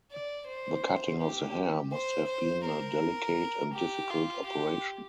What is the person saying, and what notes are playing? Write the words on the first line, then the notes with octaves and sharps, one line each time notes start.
The cutting of the hair must have been a delicate and difficult operation.
D5
C5
G4
C5
C5
A#4
G4
F4
G4